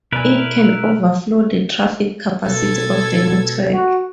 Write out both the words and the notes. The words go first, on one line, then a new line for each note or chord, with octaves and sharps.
It can overflow the traffic capacity of the network.
B2 E4 A#4 B4 D5 G#5
B2 A4 G#6
F#4